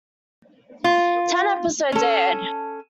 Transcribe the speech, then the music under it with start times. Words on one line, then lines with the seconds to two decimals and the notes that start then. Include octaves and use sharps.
Ten episodes aired.
0.84 F4
1.92 C#4 A4